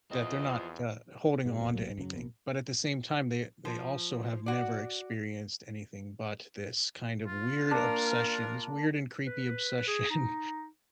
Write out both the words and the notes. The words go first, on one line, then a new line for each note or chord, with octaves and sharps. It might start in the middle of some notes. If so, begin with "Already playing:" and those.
That they're not, uh, holding on to anything, but at the same time they they also have never experienced anything but this kind of weird obsession, this weird and creepy obsession
E2 C4 F4 D#5
G#2 B2 G#3
F1 B2
D1 B1 F#3 A#3
F#2 C#3 E3 F#3
A#1 B2 A#3
F3
F#4 D5
F4
A#3 D4 A#4
B4
G#4
D#4